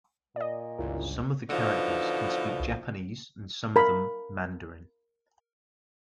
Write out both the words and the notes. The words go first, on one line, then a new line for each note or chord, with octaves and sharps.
Some of the characters can speak Japanese and some of them Mandarin.
A#2 D5 D#5
G1 C#2 E4 F4 A#4
B2 D3 E3 F3 D#4
A#4 B5